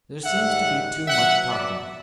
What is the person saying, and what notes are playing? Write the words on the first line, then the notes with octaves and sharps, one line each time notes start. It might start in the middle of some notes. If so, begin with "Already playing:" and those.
'There seems to be too much talking.'
G#2 D#3 G3 E5 F#5
B2 F#3 E5 F#5
D5 E5